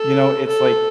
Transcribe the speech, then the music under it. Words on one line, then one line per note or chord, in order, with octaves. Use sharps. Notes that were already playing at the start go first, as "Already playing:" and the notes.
you know, it's, like,
Already playing: A4
A4